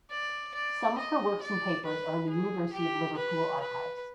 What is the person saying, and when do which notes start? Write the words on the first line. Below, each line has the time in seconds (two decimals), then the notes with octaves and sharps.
Some of her works and papers are in the University of Liverpool archives.
0.10 D5
0.54 D5
0.98 D#5
1.42 D5
1.86 B4
2.29 G#4
2.73 G4
3.17 B4
3.60 B4